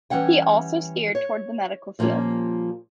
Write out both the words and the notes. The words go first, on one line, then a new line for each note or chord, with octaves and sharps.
He also steered toward the medical field.
E3 G3 C#4 F#5 G5
C#5
A#2 F3 G3 A#3 C#4